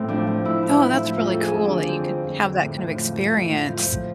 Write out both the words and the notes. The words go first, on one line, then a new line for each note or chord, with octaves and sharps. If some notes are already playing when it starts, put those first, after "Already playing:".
Oh, that's really cool that you could have that kind of experience.
Already playing: A2 C4
F3 D4
F3
A2 E4
A2
E4
F3
E4
F3
F2 F4
F3 A4
G#4
F2
D4
D3
F2 C4
F3
F2
D3
A2
A2
F3
F3
A2
A2
F3
F3